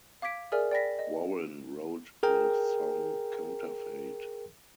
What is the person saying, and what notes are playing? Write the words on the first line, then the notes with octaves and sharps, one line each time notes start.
Warren wrote the song Counterfeit.
F5 D6 G#6 B6 D7
G#4 A#4 D5 E5 G#5 F6
D5 G5 B5 A#6 B6
D#5
G#4 A#4 G5